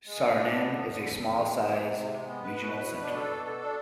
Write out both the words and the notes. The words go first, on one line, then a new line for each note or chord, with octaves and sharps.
Sarnen is a small sized regional center.
G#3
D4
D4
B3
D3
E2
D3
E2
F2
G#3
G#3
E3
C3
C3
G#3
B3
B4
B2
B4
B2
D4
A4
B2
A4
D4